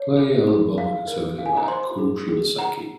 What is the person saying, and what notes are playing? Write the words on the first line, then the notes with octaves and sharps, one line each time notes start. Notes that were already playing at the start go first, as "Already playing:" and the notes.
Play Alabama Concerto by Kou Shibasaki.
Already playing: C#5
G#4
G#4
F5
A#4
F5
G#5
A#5
C5 C6
G#4
G#4
F#5 A#5